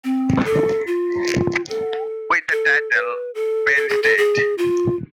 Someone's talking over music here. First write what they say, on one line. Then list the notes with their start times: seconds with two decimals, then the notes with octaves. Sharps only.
With the title Painstained.
0.04 C4
0.46 A4
0.87 F4
1.69 A4
2.52 A4
2.94 B4
3.35 A4
3.76 A4
3.89 G#4
4.03 A4
4.17 G#4
4.58 F4